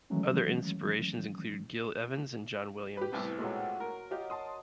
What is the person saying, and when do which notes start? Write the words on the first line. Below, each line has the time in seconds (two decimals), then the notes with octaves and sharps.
Other inspirations include Gil Evans and John Williams.
0.10 D#3 E3 F#3 G#3 A3 C#4
2.97 G4 B4
3.12 C2 A2 B3
3.38 A#2 F#3 G#3 A3 C5
3.80 A#4
4.11 F4 G4 D#5
4.30 A5 C6 D#6